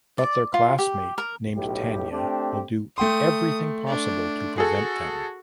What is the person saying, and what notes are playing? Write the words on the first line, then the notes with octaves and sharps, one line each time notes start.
But their classmate named Tanya will do everything possible to prevent them.
D5
F4
G4
A#4
B1 A2 G4
A3 C4 D4 G4
A3 G5 C6 D#6
D4
F#4 G#4 A4